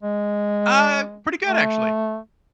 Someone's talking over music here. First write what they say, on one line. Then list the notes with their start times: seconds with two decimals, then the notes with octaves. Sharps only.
Uh, pretty good, actually,
0.03 G#3
1.45 A3